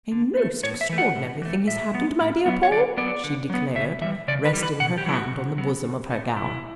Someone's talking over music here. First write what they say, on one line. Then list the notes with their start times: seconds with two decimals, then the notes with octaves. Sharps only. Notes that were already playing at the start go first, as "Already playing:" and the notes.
"A most extraordinary thing has happened, my dear Paul!" she declared, resting her hand on the bosom of her gown.
0.12 D3
0.37 A3
0.63 A2 C#5
0.81 E5
0.89 E3 A3
0.98 F#5
1.16 A2
1.42 E3 A3
1.67 A2 E5
1.93 F#3 B3
2.20 A2
2.46 F#3 B3
2.63 C#5
2.71 D3 D5
2.97 F#3 B3 D5
3.24 D3
3.50 F#3 B3
3.76 C#3 E5
4.01 E3 G3 E5
4.28 C#3 D5
4.45 B4
4.54 E3 G3
4.63 B4
4.80 B2 F#5
4.98 G4
5.06 F#3 B3 E4
5.15 F#4
5.32 B2
5.58 F#3 B3
5.84 B2
6.10 A3
6.36 B2 E4